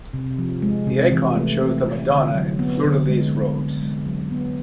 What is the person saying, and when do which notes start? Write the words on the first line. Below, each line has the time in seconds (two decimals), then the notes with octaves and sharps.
The icon shows the Madonna in fleur-de-lis robes.
0.13 C3
0.39 F3
0.62 G#3
0.87 C3
1.12 E3
1.36 A3
1.61 C4
1.86 E4
2.10 D3
2.34 F#3
2.59 B3
2.84 D3
3.08 G#3
3.33 B3
3.58 D4
3.82 G#3
4.07 F#3
4.31 B3